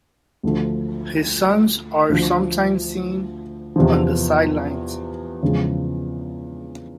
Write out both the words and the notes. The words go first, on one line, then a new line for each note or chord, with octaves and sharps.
His sons are sometimes seen on the sidelines.
D2 D3 F3 A3
D2 D3 F3
E2 C3 F3
E2 C#3 F3 G#3